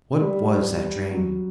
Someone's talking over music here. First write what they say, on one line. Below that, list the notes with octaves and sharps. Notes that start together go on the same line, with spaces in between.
What was that dream?
G3
F#3